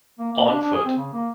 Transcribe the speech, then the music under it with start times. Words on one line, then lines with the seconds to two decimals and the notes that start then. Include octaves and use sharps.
On foot.
0.19 A#3
0.32 A#3
0.50 D4
0.61 D4
0.74 G#4
0.85 C4
0.97 C#3
1.13 A#3